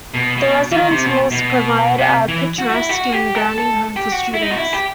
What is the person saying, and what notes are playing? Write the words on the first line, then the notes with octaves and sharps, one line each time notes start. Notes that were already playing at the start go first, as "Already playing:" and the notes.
The Residence Halls provide a picturesque and grounding home for students.
B2
B2
E3
D#3
C3
B2
B2
C3
E3
F#4
F#4
E4
F#4
G4
A4
A4
G4
F#4
E4
D#4
F#4
E4
G4